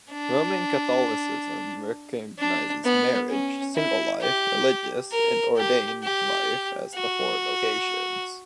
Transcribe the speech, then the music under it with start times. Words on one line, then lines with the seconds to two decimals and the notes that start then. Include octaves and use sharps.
Roman Catholicism recognizes marriage, single life, religious, and ordained life as the four vocations.
0.11 D4
2.39 D4
2.85 B3
3.30 C#4
3.75 E4
4.21 G4
5.12 A#4
5.57 G4
6.03 G4
6.94 F#4